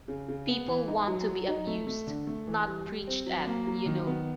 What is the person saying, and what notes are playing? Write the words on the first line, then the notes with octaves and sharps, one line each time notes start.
People want to be amused, not preached at, you know.
C#3
C#3
B3
E3
D#4
F#3
F#3
D#4
A3
A3
D3
A3
E3
G3
G3
C4
F#3
A#3
F#3
D#3
B3